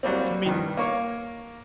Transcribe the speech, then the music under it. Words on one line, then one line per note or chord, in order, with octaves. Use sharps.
I mean
F#3 G3 A#3 C4
G2 D#3
A#3 A#4 C#5